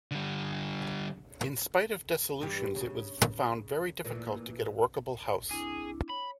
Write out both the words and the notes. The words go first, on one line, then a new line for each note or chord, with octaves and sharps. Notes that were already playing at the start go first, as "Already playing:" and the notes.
In spite of dissolutions it was found very difficult to get a workable house.
D3 G3
G2 E3 G4
C#3
A#2 E3 A3
C4 D4 E4 G#4
C#5 B5